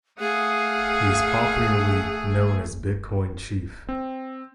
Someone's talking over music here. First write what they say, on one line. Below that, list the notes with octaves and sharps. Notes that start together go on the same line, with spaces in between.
He is popularly known as Bitcoin Chief.
A3 G#4 F5 F#5 D#6
C4